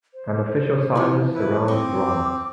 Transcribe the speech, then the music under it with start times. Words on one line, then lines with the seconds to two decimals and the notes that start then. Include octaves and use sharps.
An official silence surrounds Rommel.
0.14 C5
0.95 E3 F3
1.35 E4 B4
1.68 C4 D#5 C#6 D6